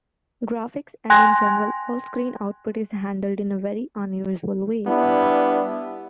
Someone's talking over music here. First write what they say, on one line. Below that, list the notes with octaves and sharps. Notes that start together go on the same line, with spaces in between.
Graphics and in general all screen output is handled in a very unusual way.
G5 G#5 C6 F#6 G#6 A#6
G3 B3 D4 E4